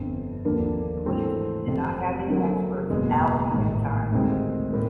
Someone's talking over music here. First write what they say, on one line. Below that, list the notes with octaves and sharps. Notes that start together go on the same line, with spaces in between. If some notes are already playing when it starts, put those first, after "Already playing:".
Queensland did not have any experts in algae at the time.
Already playing: G1 F2 D3
D#2 D3 F3 A#3 D4
G#2 E3 A3 C4
F1 F2 C3
F2 D3 F#3 A#3
F#1 E2 B2 G#3
A1 G#2 D#3
D2 C3 D#3 G#3 C4
A2 A#3